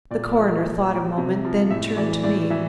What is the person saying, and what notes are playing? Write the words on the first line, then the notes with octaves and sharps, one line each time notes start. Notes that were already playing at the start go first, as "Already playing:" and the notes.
The coroner thought a moment, then turned to me.
A#2 D5
F3
A#2
F3
C3
F3
A2 E5
E3 D5
A2 D5
E3 E5